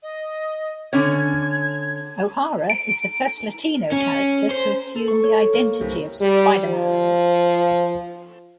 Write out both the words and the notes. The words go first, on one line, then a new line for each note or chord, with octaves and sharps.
O'Hara is the first Latino character to assume the identity of Spider-Man.
D#5
D3 C#4 C#5 G#6
D7
C#4
C5
A4
C#6
C#5
A#3
C2
G3
F3